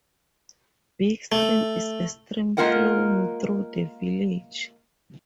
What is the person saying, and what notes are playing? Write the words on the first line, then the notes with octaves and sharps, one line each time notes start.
Big Stream is a stream flowing through the village.
A3
G#3 A#3 F4 A#4 F#5 G5